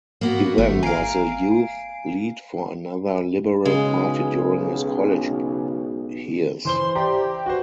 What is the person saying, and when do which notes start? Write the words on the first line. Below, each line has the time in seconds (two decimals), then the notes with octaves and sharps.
He then was the youth lead for another liberal party during his college hears.
0.21 A#3 B3 F#4
0.58 G#1 A3
0.83 F5 G#5 A#5 C7 D7
3.65 B1 C#3 G#3
6.65 E3 C5 C6 G7
6.95 G4 C5 D5 E5 A#5
7.46 F#4 B4 C5